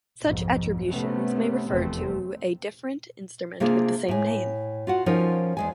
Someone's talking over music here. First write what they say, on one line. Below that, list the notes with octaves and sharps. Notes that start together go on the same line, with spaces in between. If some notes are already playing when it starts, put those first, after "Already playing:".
Such attributions may refer to a different instrument with the same name.
B1 F2 G#2
C3 A3 B3 C#4
F1 E2 C3 A3 C4
C3 A#3 D4 F4 G#4
A2 G#5
F4 F#4 F#5
F3 C#4 D#4 F4 A#4
E2 G#3 G#5